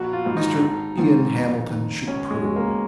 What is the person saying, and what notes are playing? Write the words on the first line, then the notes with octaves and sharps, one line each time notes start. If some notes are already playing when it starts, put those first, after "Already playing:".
Mr. Ian Hamilton should prune.
Already playing: A#1 F#4
F4
G#2 F3
D#4
G#1
G#2 D#3
F2
D#3
C#2 C#4
G#3
B2 G#3
A#3